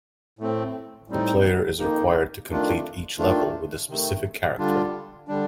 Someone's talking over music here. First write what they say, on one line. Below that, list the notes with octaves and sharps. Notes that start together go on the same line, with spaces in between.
The player is required to complete each level with a specific character.
A2 A3 C4
A2 G3 C4 D#4
F2 D#3 A#3 D#4
F2 D#3 A3 D4 F4
D#3 A3 D4 F4
C3 D#3 A3
D3 G3 D4 F4
D3 G3 D4